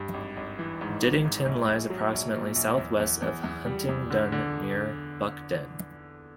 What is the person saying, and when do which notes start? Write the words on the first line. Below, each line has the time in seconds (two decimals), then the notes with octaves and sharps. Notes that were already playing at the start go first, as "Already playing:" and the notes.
Diddington lies approximately south-west of Huntingdon, near to Buckden.
Already playing: G2
0.14 G#1
0.37 G#1
0.59 E3
0.81 G#2
1.02 G#1
1.25 G#2
1.46 A#1
1.69 A#1
1.90 F#3
2.13 A#1
2.34 A#2
2.56 A#1
2.78 E2
3.00 E2
3.22 E2
3.44 E2
3.66 G3
3.89 E2
4.10 D3
4.32 D3